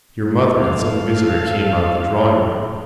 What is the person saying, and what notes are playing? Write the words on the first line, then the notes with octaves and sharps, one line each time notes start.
Your mother and some visitor came out of the drawingroom.
A4 F5